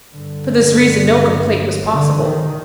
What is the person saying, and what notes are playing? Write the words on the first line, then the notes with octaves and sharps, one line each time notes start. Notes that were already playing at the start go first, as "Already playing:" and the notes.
For this reason no complaint was possible.
G2 D3
D3
D#3